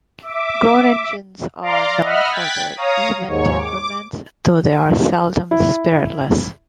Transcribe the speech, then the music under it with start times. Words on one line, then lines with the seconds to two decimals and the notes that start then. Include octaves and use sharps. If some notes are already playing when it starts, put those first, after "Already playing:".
Groningens are known for their even temperaments, though they are seldom spiritless.
0.22 E5 D6
1.62 D5 F5 A#5 C6 D6
2.02 D#5 E5 F#5 B5 F6
2.31 G5 F#6 G#6 A6 B6
2.76 C#5 F5 A#5 D#6
3.27 D#2 G#2 C#5
3.57 D6
5.51 E4